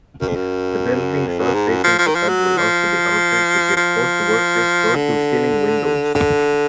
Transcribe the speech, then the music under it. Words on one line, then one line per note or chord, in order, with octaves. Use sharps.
The building's south-facing facade will also be altered to give "Post" workers floor-to-ceiling windows.
F#2
F2
F#2
F2
F#2
G#2
F#2
F3
F3
D#3
F3
F#3
F3
F3
D3
D3